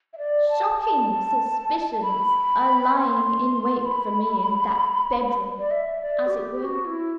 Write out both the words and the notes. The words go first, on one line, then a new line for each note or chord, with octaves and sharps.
Shocking suspicions are lying in wait for me in that bedroom, as it were.
E5
D5
A5
A5
A5
B5
C6
B5
D5
E5
D5
F#4
G4
F#4
E4